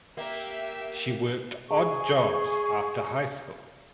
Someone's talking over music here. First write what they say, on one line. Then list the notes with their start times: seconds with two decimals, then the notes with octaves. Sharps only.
She worked odd jobs after high school.
0.17 A#3 G4 E5
1.68 G#4 C#6